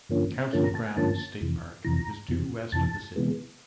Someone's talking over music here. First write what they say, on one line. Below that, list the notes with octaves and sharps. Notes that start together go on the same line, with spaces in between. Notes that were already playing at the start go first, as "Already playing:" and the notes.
Council Grounds State Park is due west of the city.
G2 D3 F3 A#3 C#4
G2 D3 F3 A#3 C#4 A5
A#5
A5
G#5
G2 D3 F3 A#3 C#4 A5
F2 C3 E3
F2 C3 E3 A#5
F2 C3 E3
F2 C3 E3 A5
C3 E3 G#3 B3